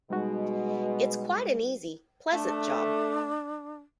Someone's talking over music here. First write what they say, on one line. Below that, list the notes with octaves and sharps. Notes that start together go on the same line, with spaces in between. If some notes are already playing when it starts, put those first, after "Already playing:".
It's quite an easy, pleasant job.
B2 G3 G#3 D#4 F#4
A3 D4